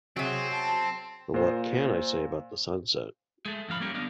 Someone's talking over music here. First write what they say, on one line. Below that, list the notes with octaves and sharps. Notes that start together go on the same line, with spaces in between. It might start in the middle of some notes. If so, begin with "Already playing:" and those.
But what can I say about the sunset?
C3 F#3 C4 G#4
A5
A#2 C5
G#3 A3
F#2 F3 F5 B5
G3 A3 A#3 C#4 G4 A#4
D3 F#3 B3 D4 D#5 F5